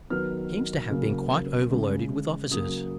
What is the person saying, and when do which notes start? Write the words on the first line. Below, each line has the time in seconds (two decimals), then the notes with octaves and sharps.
He seems to have been quite overloaded with offices.
0.10 D#3 F#3 B3 F6
0.91 C#3 F#3 A#3 C#4
1.71 C#3 G#3 C#4
2.51 C#3 F#3 A#3 D#6